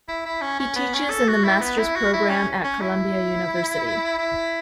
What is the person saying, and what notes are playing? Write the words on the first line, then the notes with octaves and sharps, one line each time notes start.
He teaches in the masters program at Columbia University.
E4
E4
C#4
C#4
B3
C#4
A4
F#4
E4
B3
E4
F#4
E4
C#4
C#4
E4
E4